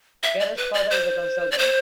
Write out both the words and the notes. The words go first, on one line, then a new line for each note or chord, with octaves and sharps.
Cara's father is a consultant.
E5
D5
B4
D5
C5
D5
C5